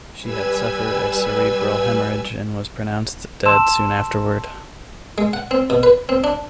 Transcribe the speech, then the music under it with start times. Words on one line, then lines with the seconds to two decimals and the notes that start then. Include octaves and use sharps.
She had suffered a cerebral hemorrhage and was pronounced dead soon afterward.
0.21 G3 B4 G#5 E6 G#6
3.46 A5 C6 E6 E7
5.18 G#3
5.33 F#5
5.51 C4
5.70 B2
5.83 B4
6.09 C4
6.24 D4